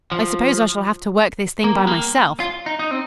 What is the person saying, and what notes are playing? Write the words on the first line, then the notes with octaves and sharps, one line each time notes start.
"I suppose I shall have to work this thing by myself."
F3
A#3
G3
A#3
F4
D#4
D#4
C4